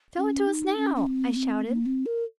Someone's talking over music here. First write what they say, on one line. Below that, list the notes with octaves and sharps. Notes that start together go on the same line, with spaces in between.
"Show it to us now!" I shouted.
C#4
D#4
C#4
C#4
C4
A#3
C4
A#3
C4
A#4